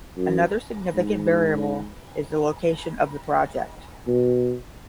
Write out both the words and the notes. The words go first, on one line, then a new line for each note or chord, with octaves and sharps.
Another significant variable is the location of the project.
F#2
G#2
B2